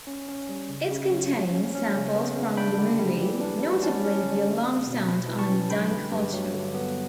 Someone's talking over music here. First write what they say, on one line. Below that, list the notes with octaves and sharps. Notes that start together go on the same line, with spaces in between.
It contains samples from the movie, notably the alarm sound on "Dying culture".
C#4
C#4
G3
C#3
C#3
F#3
A3
C#4
C#4
C#3
B3
C#3
D4 G5 B5
D3
G3
E3
D4
G3
C#4 F#5 A5
C#4
D3
D4
B3
B2
E3 G5 B5
E3
A5 C#6
C#4
D3 G5 B5
G2
G2
F#3
D3
B3